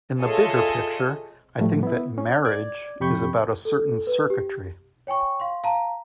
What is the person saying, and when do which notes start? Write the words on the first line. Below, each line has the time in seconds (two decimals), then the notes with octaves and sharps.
In the bigger picture, I think that 'marriage' is about a certain circuitry.
0.19 F4 G#4 A4 C#5 D#5 E5
1.59 A2 F3 G3 A3
1.83 B3 E4
2.18 C#4
2.45 D5 D6 G#6
3.00 F2 C3 G4 B5 C#6 G6
3.65 A4
4.07 B4
4.30 G4
5.07 C#5 G5 G#5 C#6
5.40 F5 C6
5.64 F5 A5 A#5